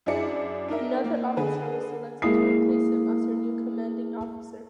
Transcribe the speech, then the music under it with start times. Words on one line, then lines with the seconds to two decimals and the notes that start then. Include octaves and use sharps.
Another officer was selected to replace him as her new commanding officer.
0.06 F#2 D4 E4 G#4 D5 C#7
0.68 D4 D#4 A#4 E5
1.04 A#3
1.37 D3 G#4 B4
2.22 G#3 A#3 E4 D#6 C7